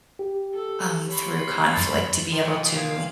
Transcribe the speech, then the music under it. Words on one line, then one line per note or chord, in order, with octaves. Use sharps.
um, through conflict to be able to,
G4
A4
C#5 B5 C6
F#2 A6
F3 F4 G5
C3 E3 B4
G#4 F5